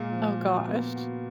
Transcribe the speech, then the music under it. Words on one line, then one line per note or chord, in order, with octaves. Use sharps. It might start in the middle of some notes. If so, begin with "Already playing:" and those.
Oh, gosh.
Already playing: A#2 G#3 A#3
F3
F#4
B3
F#4